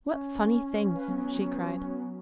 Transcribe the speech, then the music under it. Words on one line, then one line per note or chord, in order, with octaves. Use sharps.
"What funny things!" she cried.
C#4
B4 F5
F#3 B3